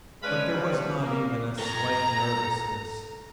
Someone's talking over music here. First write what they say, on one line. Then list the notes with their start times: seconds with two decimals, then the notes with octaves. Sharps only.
But there was not even a slight nervousness.
0.23 G#3 C#4 D4 B4 F5 B5
0.54 B2 E3 F#3 G3
1.02 A#3
1.59 A4 G5 A#5